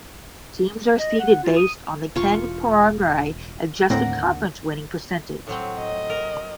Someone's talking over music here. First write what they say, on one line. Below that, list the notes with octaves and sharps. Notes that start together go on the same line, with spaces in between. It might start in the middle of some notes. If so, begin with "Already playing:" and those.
Teams are seeded based on the Ken Pomeroy Adjusted Conference Winning Percentage.
D#5
F#5
F4
D#6
E1 F4 C#6
D#2 A2 D3 A#3 C4 D5 F#5 A#5
A2 F#3 C4
D#5
A#4